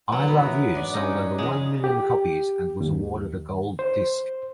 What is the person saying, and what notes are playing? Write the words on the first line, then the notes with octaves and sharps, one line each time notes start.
I Love You, sold over one million copies, and was awarded a gold disc.
F#3 B3 D4
D2 B2 D#3 B3
A#4 E5
G#2 D4 D5
C#4 D#4
C#3 F#3 G#3
G4
D#2
C5